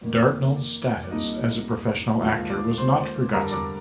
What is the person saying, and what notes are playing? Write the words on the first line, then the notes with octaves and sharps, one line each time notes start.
Dartnell's status as a professional actor was not forgotten.
F2 D#3 A#3
D5
D5
C2 A#2 G3 A#3 D4 D#4 D#5
D#2 D3 F3 G#3 F4 F5
D5 D6
C5 C6
G2 D3 G3 D4 A#4 A#5
D5 D6